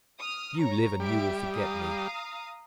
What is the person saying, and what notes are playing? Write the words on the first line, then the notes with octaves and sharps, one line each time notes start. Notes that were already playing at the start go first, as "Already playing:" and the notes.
You live and you will forget me.
D#6 F6
C#5 A#5
G3 G4 E5 D7
F5 A#5 D#6